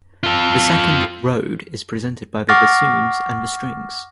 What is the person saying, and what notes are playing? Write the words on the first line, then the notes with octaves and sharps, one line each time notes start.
The second "road" is presented by the bassoon and the strings.
F4 A4
F#5 C#6 D6 F6 A6 A#6